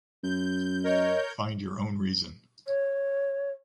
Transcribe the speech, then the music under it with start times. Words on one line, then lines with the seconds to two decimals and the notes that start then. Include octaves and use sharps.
Find your own reason.
0.24 F#2 G6
0.84 A#4 C#5 D#5 G6
2.67 C#5